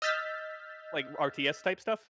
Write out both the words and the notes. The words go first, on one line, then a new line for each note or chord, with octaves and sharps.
like, RTS type stuff?
D#5 E6 F6 G6 A6 B6